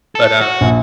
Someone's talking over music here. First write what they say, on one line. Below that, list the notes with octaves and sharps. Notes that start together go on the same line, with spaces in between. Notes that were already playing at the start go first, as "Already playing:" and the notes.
But, um,
A4
F#4
A#1